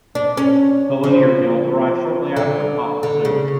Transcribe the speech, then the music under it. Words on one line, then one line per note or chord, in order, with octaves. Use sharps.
The Linear Guild arrives shortly after in hot pursuit.
D4
C#4
F3
D3
D3
C#3